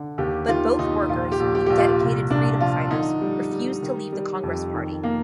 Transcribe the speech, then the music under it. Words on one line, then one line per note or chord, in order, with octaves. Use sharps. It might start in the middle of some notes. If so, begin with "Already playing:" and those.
But both workers, being dedicated freedom fighters, refused to leave the Congress Party.
Already playing: D3
D#2 G4
D#3 F4
D#2 D#4
A#1 F4
G4
A#1
G4
A#1 G4
F4
C2
C2 D4
F3 F4
D3 D#4
G3
G3
D#3
G3
F2
D#3
A#3